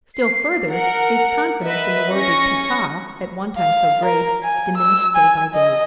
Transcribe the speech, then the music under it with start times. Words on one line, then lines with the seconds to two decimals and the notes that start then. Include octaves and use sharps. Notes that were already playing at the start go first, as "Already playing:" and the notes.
Still further, his confidence in the worthy Picard, at one time so great, diminished day by day.
0.20 C7
0.70 A#4 F#5
1.62 B4 D#5 E5
2.14 C#4 C#6 A#6
3.58 F5
4.05 A#4
4.43 G#5
4.77 E6
5.16 G#5
5.54 D#5